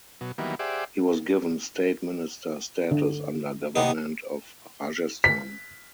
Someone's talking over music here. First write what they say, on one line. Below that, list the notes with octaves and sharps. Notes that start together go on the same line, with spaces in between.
He was given State Minister Status under Government of Rajasthan.
B2 F#3
D#3 E3 F#3 G3 A#3 B3
G4 G#4 C5 D5 E5 F#5
D3
C3 B3 D#4
B6